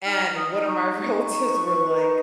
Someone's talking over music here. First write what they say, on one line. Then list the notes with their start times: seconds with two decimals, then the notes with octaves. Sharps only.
and one of my relatives were like,
0.04 D#4 F6
0.36 D#6
0.51 D#4
0.59 D#6
0.67 C#6
0.97 D#4 C#6
1.45 B4
1.91 D#4